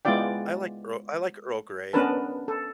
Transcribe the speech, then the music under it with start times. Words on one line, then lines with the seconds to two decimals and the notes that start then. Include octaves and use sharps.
I like Earl I like Earl Grey.
0.05 G#3 B3 E4 F4 D5 G5
1.93 B3 C#4 D4 A#4 B4 A5
2.48 A4